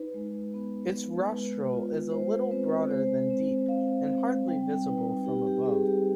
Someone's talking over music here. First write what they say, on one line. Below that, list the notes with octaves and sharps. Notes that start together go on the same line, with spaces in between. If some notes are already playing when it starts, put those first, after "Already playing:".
Its rostral is a little broader than deep and hardly visible from above.
Already playing: D#4 B4
G#3
B3
B3
G#3 B4
F4
G#3 C5
C4 B4
G#3 C5
C4
C4 F5
C4
G3 G5
D#4 B4
D#4 G4
G4
G3 G#4
G4